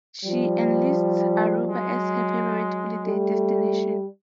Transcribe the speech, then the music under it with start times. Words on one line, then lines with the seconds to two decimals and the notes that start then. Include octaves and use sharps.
She enlists Aruba as her favorite holiday destination.
0.24 F3 G3
1.65 F#3 G#3
3.04 G3 A3